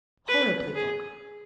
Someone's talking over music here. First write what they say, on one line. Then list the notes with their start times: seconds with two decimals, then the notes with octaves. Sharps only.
Horribly vulgar!
0.28 B4
0.75 G#4